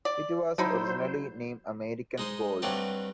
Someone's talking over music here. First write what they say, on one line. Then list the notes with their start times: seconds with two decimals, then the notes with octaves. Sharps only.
It was originally named American Gold.
0.05 D5
0.58 D3 F#3 D#4 E4 C5
2.18 G#3 D#4 C5
2.62 G2 F#3 A3 C4 G4 A5